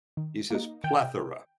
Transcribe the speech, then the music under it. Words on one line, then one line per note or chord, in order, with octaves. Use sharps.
He says "Plethora."
D#3
A#3 D#4
D#3 G5